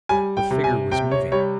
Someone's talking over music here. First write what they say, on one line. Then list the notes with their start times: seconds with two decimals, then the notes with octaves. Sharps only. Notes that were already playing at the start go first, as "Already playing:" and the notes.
The figure was moving.
0.09 G3 G#5
0.37 G5
0.50 C3
0.64 G#5
0.91 C3 G5
1.11 C#5
1.32 G3 C#5